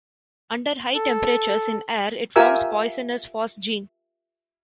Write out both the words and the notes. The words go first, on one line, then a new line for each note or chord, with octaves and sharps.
Under high temperatures in air, it forms poisonous phosgene.
A4
F4 G4 A#4 E5 G#5 E6